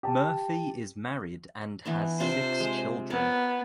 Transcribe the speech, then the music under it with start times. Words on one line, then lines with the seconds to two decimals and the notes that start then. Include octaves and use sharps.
Murphy is married and has six children.
0.03 G4 A5
1.85 E3 B3 D4
2.20 C3 D4 F4 C5
2.60 G#3
3.10 B3 A#4 C#5 A5